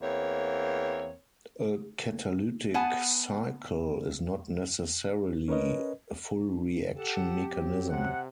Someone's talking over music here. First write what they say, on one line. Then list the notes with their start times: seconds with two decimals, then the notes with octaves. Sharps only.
A catalytic cycle is not necessarily a full reaction mechanism.
0.02 E2 A#3 C4 C#5
2.74 B3 F#5 G#5 A5
5.48 C#4 A#4 B4 C#5 D#5
6.97 G4 A4 F#5 A5
7.48 F#3 C4
7.90 C3 F#5